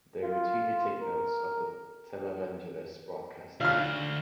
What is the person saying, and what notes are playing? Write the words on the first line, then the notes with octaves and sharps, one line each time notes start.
They routinely take notes of the televangelists broadcasts.
F4
A#4
D2 F5 F6